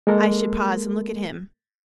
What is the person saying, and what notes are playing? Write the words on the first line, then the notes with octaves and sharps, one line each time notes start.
I should pause and look at him.
G#3 A#3 A4 A#4